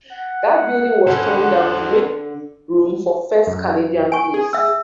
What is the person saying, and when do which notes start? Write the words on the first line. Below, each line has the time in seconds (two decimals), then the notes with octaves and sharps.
That building was torn down to make room for First Canadian Place.
0.12 F#5
1.07 D3 C#4 A4 B4 C5
3.47 F#2
4.12 G#5 C#6 D7
4.34 G#4
4.53 E5 E6